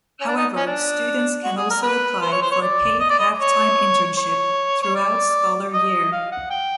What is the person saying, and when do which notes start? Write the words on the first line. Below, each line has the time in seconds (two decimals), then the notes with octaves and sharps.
However, students can also apply for a paid halftime internship throughout scholar year.
0.21 C#4
0.27 D4
0.37 D#4
0.56 C#4
0.66 D4
1.44 F#4
1.57 G#4
1.71 A#4
1.83 B4
2.23 C5
2.32 C#5
2.42 C5
2.52 C#5
2.62 D5
3.00 D#5
3.10 D5
3.20 D#5
3.40 C#5
4.18 C#5
4.83 C#5
4.96 D5
5.74 D#5
6.13 F5
6.32 F#5
6.51 G5